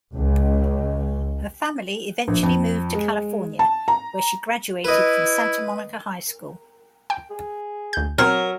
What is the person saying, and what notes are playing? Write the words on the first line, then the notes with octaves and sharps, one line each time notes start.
Her family eventually moved to California, where she graduated from Santa Monica High School.
C#2
A#1
F2
G#3
A5
A#5
E4 B4 D#5
G5
G#4
D2 G6
F#3 C4 A#4 C5 C#5